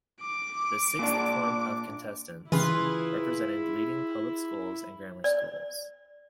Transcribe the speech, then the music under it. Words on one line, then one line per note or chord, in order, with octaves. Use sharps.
The sixth form contestants represented leading public schools and grammar schools.
D6
A#2 D4
C#3 E3 E4 F4 G#4 B4
D5